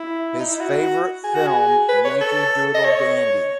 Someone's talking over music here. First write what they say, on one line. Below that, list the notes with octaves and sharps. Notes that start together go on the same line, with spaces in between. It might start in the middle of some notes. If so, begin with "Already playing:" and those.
His favorite film, "Yankee Doodle Dandy".
Already playing: E4
D#4
E4
F#4
G#4
F#4
G#4
B4
C#5
A4
D#5
C#5